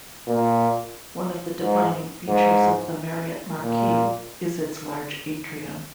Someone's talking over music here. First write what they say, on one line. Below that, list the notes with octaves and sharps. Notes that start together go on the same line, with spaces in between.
One of the defining features of the Marriott Marquis is its large atrium.
A#2
G#2
G#2
A#2